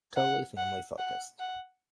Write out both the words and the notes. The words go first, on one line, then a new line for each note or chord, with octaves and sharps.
Totally family focused.
F#5
F#5
F#5
F#5